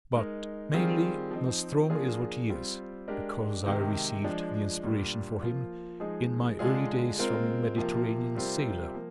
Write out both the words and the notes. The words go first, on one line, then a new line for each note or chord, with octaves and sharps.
But mainly Nostromo is what he is because I received the inspiration for him in my early days from a Mediterranean sailor.
G#3 D#4 A#4
D#3 G3 C4 F4 G#4
F3 C4 D#4
F3 A#3 D4 F4 G#4
G3 C4 F4
G#3 D4 G4 A#4
C3 D#3 G#3
F3 G#3 D4
A#2 G3 D4
F3 A#3 F4
F3 G#3 D#4 G#4
D3 G#3 D4 F4 G#4
G#3 C4 F4 A#4
C3 F3 A#3 F4
C3 G3 C4 F4 A#4
F3 A#3